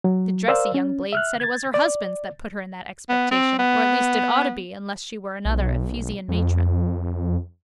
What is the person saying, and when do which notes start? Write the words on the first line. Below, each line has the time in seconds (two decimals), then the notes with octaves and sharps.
The dressy young blade said it was her husband's that put her in that expectation or at least it ought to be unless she were another Ephesian matron.
0.04 F#3
0.48 A#4 C5 D5 F5 E6
0.74 C#4
1.13 E5 F6 F#6
1.40 G#6 A6
1.74 D5
3.09 B3
3.31 C4
3.59 B3
5.45 B1
6.29 F2